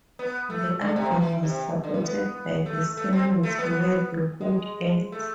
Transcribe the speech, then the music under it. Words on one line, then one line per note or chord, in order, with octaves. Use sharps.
The album was supported by the singles Where the Hood At?
B3
A3
D3
C3
E3
C3
D3
E3
B3
A3
A3
C4
A3
B3
G#3
A3